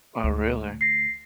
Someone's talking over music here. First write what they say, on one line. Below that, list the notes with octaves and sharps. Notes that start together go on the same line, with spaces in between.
Oh, really?
D2
A#6 C7